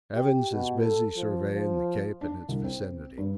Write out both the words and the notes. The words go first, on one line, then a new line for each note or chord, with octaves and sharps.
Evans is busy surveying the Cape and its vicinity.
G4
B2
A4
F3
F3
D4
C2
C4
G2